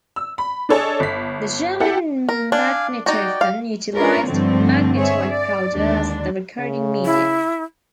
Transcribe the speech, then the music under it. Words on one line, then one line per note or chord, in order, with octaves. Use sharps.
The German magnetophon utilized magnetite powder as the recording medium.
E6
B5
D4 G#4 A4 C#5 D#5
G1 B6
E4 G4 A4 F#5
A#4
D4 F5 G#5
D#4 F#4 D5 G5
F5
C#4 D4 F4 A#4 B4 C#5
G2 D3 F3 A3 C4
C4 G#4 C#5 E5
D5
D#2 D3 G#3 D4
C#3
E4